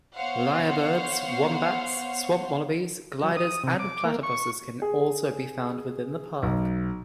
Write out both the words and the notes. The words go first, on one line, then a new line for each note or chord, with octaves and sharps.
Lyrebirds, wombats, swamp wallabies, gliders and platypuses can also be found within the park.
B3 C5 C#5 F5 F#5
F#3
D#6
C3
D6
A#3
C#6
G#4
B1